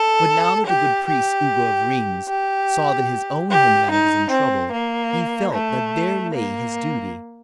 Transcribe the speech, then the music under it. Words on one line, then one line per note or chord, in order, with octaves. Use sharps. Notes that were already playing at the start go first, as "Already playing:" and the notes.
But now that the good priest Ugo of Rheims saw that his own home land was in trouble, he felt that there lay his duty.
Already playing: A4
G4
G4
G4
G4
D#4
C4
A#3
A3
A#3